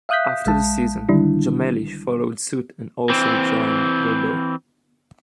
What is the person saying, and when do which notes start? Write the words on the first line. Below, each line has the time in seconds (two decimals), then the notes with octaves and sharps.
After the season, Jammeli followed suit and also joined Bordeaux.
0.09 E5 F5 D#6 F#6 G6 B6
0.46 A#1 G#3 A5
1.09 D3 D#3 G3 D4 E4
3.10 E3 C4